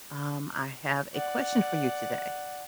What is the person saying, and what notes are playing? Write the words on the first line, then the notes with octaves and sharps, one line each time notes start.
Um, I have a question for you today.
D5 F#5